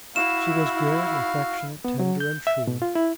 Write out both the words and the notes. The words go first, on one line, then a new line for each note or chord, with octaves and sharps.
She was good, affectionate, tender, and true.
E4 F#4 F5 E7
B3
F#3
G6
E5
B2
F4
E4